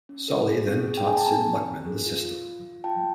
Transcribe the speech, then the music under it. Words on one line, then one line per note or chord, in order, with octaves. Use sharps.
Solly then taught Sid Luckman the system.
C#4
A4
G#4
C4
G#4
G5
G#4 G#5
A5
C4 G#5 A#5
C4
C4
G#4
F4
F4
F4
F4
F4 G5 A5